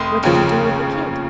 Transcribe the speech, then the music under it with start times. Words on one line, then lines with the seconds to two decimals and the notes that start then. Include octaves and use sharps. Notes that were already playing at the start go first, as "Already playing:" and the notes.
'What did you do with the kid?'
Already playing: F1 C6 D#6
0.23 D#2 C#3 F3